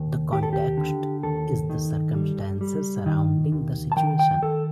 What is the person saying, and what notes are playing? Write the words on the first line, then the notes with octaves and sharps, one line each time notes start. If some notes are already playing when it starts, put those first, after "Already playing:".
The context is the circumstances surrounding the situation.
Already playing: D#2
D#2 G4
A4
G4
D3
D#2 A4
D#3
G3
G3
D#3
D#2
A5
D#3 G5
G5
D#3 A4